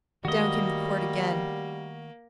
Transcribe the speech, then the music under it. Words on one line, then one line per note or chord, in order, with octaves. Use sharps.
Down came the quirt again.
D#3 G3 A3 A#3 F#4 D#5